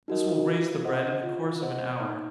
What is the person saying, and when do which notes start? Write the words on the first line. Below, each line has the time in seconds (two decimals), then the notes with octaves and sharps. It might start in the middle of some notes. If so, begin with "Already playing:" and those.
This will raise the bread in the course of an hour.
0.08 D#4 F#4 A#4 D#5
0.46 F4
0.85 C5 D#5 F#5
1.24 F4
1.62 C5 D#5 F#5
2.00 D#4